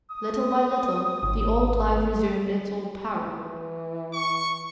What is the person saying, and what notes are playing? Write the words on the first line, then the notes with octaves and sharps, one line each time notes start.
Little by little the old life resumed its old power.
D#6
G#1
E3
C#6